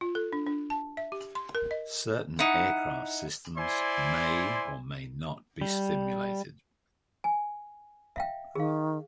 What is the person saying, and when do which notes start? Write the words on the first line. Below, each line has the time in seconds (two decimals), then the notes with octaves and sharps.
Certain aircraft systems may or may not be simulated.
0.01 F4
0.15 A4
0.33 D4
0.46 D4
0.70 A5
0.97 E5
1.12 G4
1.35 C6
1.55 A#4
1.71 D#5
2.39 D#4 E4 F#5
3.57 E4 C5 D5 G#5 C6
5.61 G3
7.24 G#5
8.16 E5 F5 G5
8.55 D#3 G#4 F5